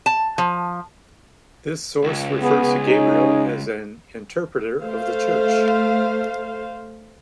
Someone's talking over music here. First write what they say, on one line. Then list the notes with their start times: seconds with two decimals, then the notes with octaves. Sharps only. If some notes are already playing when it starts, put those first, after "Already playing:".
This source refers to Gabriel as an "interpreter of the church".
0.06 A5
0.38 F3
2.04 C#2
2.42 B3 G#4
2.87 C#4 D#4
4.83 A3 C5 F5